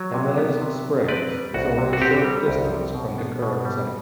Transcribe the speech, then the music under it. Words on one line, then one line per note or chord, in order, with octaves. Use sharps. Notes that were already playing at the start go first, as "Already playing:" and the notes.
Jemez Springs was only a short distance from the current site.
Already playing: F#3
C3
B3
C3
F#3
C4 B4 D5
G3
C2 F#4
C3
F#4
C4 G4
G3
C2
C3
B2
B3
B2
G3